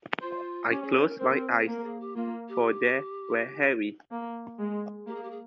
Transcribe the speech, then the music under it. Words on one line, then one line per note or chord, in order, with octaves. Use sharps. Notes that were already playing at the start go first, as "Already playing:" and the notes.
I closed my eyes, for they were heavy.
F4 C5
C#4 G4
G#4
C5
A#4
C4 A#4
G#4
A#3 A#4
G#4
G4
A#3 F4
G4
A#3
G#3
A#3 G4
G#4
G4
G#4